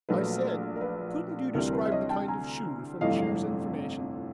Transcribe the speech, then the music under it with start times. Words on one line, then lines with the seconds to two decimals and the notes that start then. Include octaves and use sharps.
"I said, couldn't you describe the kind of shoe, for monsieur's information?"
0.09 A#1 A#2 F#3 A3 B4
0.76 A#4
0.81 B4
1.54 D2 C3 E3 G3 A#4
1.67 A#4
1.73 B4
1.85 E5
1.91 C#5 D#5
2.09 G5 A5
2.28 G#5 A#5
3.01 G1 F2 C3 E3 A3 D#5 F5